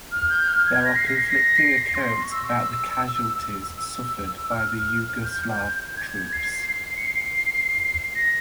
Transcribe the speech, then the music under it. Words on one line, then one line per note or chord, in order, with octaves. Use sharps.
There are conflicting accounts about the casualties suffered by the Yugoslav troops.
F6
G6
F6
G#6
A#6
C7
A#6
C7
A#6
C7
A#6
C6
C#6
E6
E6
F6
G6
G#6
C7
C7
C#7
C7
A#6